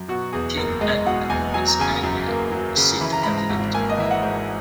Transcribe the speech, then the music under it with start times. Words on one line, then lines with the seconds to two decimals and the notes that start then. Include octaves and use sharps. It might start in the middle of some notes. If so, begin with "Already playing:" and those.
King Edmund of East Anglia is said to have lived here.
Already playing: F#2
0.08 B2 F#4
0.33 E2 G#4
0.57 F#1 A#4
0.81 G#3 D#5
1.06 B2 F#5
1.30 E2 G#5
1.54 F#3 G#5
1.68 A#5
1.79 C#3 G#5
2.03 F#2
2.27 A#3
2.52 F#3
2.77 C#3
3.01 E3 B5
3.13 A#5
3.23 G#2 B5
3.38 A#5
3.50 G#1
3.74 A#3 G#5
3.89 D#5
3.98 E3 E5
4.11 F#5
4.23 G#2